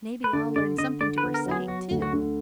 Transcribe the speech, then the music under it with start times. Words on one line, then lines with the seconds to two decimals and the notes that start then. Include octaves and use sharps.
"May be I'll learn something to recite, too."
0.24 B4
0.33 D3 D5
0.56 D3 D5
0.78 D3 D#5
1.01 D3 D5
1.18 B4
1.23 B3
1.34 A#4
1.46 F#3
1.51 G#4
1.68 F#3 F#4
1.91 D2
2.02 F#4
2.13 D3